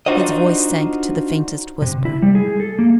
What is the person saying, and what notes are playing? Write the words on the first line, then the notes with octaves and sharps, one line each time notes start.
His voice sank to the faintest whisper.
D4 D#4 F4 F#4 C5 D#5
C3
E4
G3
G#4
A4
A#3